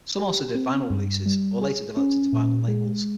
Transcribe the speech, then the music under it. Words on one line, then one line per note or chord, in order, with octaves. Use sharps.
Some also did vinyl releases, or later developed into vinyl labels.
G4
C4
G2
G3
G#4
C#4
A#2
G#3